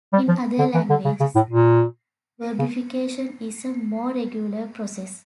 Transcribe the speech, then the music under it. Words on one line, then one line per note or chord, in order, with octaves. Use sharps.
In other languages, verbification is a more regular process.
G3
F3
D3
E3
D3
C#3
C#3
A2
A#2
C#3